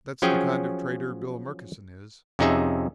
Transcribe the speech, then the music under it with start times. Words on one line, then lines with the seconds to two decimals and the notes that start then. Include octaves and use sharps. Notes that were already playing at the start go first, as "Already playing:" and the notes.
That's the kind of trader Bill Murkison is.
0.22 F3 F#3 C#4 G#4 G5
2.39 F2 C3 C#4 D#4 G#4 E5